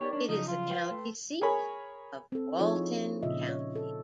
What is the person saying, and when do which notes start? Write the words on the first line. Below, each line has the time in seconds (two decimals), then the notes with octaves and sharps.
It is the county seat of Walton County.
0.01 B3 D#4 G4 A#4 C#5 D5
0.13 C#4 D4 C#5
0.28 C#3 F3 F#3 D#4
0.48 F4
0.70 B4 G5 C6
0.91 A3
1.41 G#4 A#4 C#5 B5
2.32 C4 A4
2.59 F3 D#4 F4 G#4 C#5
2.76 E4
3.23 A#2 C#3 D#5 E5
3.49 C#5
3.76 A4